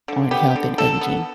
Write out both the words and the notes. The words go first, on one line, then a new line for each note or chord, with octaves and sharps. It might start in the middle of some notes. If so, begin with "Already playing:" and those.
on health and aging
D3
B3 G4
D3
D3 A4
B3